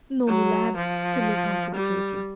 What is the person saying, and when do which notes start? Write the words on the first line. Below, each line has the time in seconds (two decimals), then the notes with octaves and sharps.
"No, me lad," Cilley answered gravely.
0.27 F#3
0.76 F3
1.74 G3